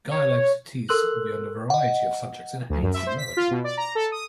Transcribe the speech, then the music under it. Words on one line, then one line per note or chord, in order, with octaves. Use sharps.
Guy likes to tease Sylvie on a variety of subjects, and hates her mother.
C#5
A4 A#4 C6 E6 F#6 F#7
D#5 F#5
D2
F#2
E5
C5
B6
F4
B2
D5
A#5
A4
D#6